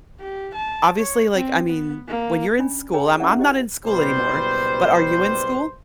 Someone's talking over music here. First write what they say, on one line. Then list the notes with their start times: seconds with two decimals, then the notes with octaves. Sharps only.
obviously, like, I mean, when you're in school I'm I'm not in school anymore, but are you in school?
0.20 G4
0.54 A5
0.96 C#5
1.33 C4
1.67 B3
2.08 A#3
2.59 C#4 D4 D5 G#5 B5
2.93 G#4 B4 C#5 G5 G#5 A#5
3.20 C#4 E4 D5 E5 F#5
3.39 G4 C5 D#5 G5
3.86 F#1 B2 G3 B4 C5